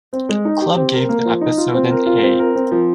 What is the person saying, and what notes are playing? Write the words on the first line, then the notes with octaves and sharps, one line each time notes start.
Club gave the episode an A.
C4
G#3
D#4
G4
C4
A#4
A#3
F3
D#4
F4
C4
A#4
F4
C4
A#4
C4
F3